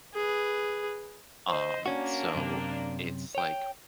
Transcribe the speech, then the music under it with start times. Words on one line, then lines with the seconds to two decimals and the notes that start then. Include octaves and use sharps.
Um, so it's like
0.14 G#4 B4
1.48 C5 D#5
1.86 A#3 C#4 D4 F#4
2.35 F#2 C3
3.35 C#5 G5